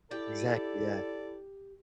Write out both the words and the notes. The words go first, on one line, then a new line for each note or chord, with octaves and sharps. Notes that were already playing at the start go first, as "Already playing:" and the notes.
Exactly, yeah.
E4 G4 A4 D5